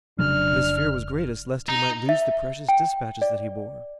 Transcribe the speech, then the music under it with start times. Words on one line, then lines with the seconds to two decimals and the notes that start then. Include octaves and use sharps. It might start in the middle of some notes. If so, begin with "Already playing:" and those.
But his fear was greatest lest he might lose the precious dispatches that he bore.
0.19 F1 C#3 F#3 D4 F6
1.69 D#4
2.09 E5
2.69 G5
3.22 D5